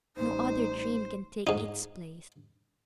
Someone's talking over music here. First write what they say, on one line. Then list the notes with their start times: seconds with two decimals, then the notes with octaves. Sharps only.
No other dream can take its place.
0.17 A1 G3 D#4 C5
1.47 G#2 D#4